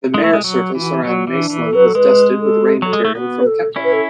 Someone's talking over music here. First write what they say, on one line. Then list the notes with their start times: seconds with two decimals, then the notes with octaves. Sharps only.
The mare surface around Maestlin is dusted with ray material from Kepler.
0.14 G#3 E4
0.24 A3
0.33 G#3
0.44 F#3
0.75 E3 E4
0.81 F#4
0.90 E4
1.05 F#3 F#4
1.27 E3
1.35 D4
1.50 E3
1.65 A4
1.73 F#3 B4
1.86 A4
1.95 G#3 B4
2.40 A4
2.82 F#3 A4
2.93 G#3
3.05 A3
3.15 B3 F#4
3.39 B4
3.46 A4
3.76 C#4 E4
3.84 B4
3.92 A4